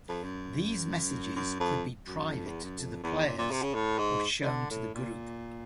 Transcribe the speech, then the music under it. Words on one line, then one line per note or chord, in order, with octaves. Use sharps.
These messages could be private to the players or shown to the group.
F2
F#2
F#2
F2
F#2
F2
E2
F#2
F2
E2
A#2
A#2
C3
C#3
A2
G#2
C#3
D3
A2
A#2